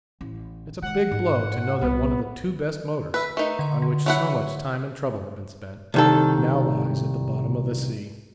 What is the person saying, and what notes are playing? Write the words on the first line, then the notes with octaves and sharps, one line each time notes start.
It's a big blow to know that one of the two best motors, on which so much time and trouble have been spent, now lies at the bottom of the sea.
A1
D#3 G#3 F#5
G#2
C2 A#2 B3
B4 E5 E6
A3 D#4 A#4 B4 D#5
D3 E5
D3
F#3 E4 F#5
C2 D#3 A4